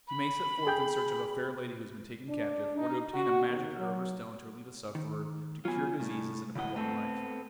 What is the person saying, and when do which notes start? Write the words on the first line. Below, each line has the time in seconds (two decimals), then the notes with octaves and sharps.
He may set forth in search of a fair lady who has been taken captive, or to obtain a magic herb or stone to relieve a sufferer, to cure diseases, and to prolong life.
0.08 B5
0.67 G#4 G5 G6
2.29 D4
2.78 D#4
3.14 F#4
3.49 D#2
3.78 F#3
4.95 D#3
5.65 F#3 B3 F4 G#5
6.00 C2 A2
6.55 B1 C#3 E3 D#5 F#5
6.76 A3 B3 C4 A4